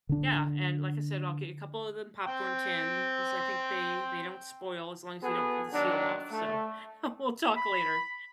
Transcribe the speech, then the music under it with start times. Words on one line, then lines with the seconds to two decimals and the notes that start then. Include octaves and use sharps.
Yeah, and like I said, I'll get you a couple of them popcorn tins, I think they they don't spoil as long as you don't pull the seal off. So we'll talk later.
0.09 D3 D4
2.27 C4 G5
5.22 B3 F#4 G#4 A4
5.73 D#3 F#3 D4
6.31 A3
7.56 B5